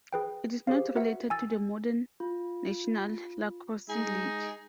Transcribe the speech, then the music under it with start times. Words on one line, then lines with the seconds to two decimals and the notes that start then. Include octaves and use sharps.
It is not related to the modern National Lacrosse League.
0.13 G#4 B4 G5
0.67 G4 G#4 C5 F5
0.96 F#4 A#4 B4 E5 F#5
1.30 G#5 E6 A6
2.20 F4
3.89 G#3 D#4 G#4